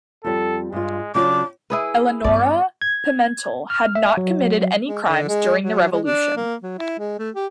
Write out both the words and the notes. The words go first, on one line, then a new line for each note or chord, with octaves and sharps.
Eleonora Pimentel had not committed any crimes during the revolution.
F2 G3 A4
G2 G#3 F4
C#3 F#3 D4 F4 D6
E4 G#4 B4
G2 B3 D5
G#6
F6
E5
F#3
G#3
D3
G#3
F#3
G#3
D4
A#3
F#3
E4
G#3
A3
G4